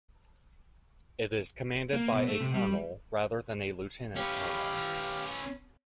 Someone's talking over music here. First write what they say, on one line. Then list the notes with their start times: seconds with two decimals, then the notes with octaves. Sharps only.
It is commanded by a colonel, rather than a lieutenant colonel.
1.93 A#3
2.12 B2
2.28 A3
2.41 C3
2.54 G3
4.16 C#4 G4 B4 F5